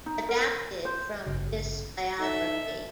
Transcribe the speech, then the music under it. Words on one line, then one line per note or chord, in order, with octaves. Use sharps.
Adapted from this biography.
D#4
A#4
C5
G#1 G2 C#3
D#4 A4 E5